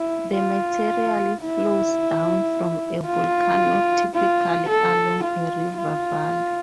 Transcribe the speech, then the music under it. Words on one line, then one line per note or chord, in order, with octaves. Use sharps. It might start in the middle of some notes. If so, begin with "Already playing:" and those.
The material flows down from a volcano, typically along a river valley.
Already playing: E4
F4
E4
F4
F4
A4
F4
F4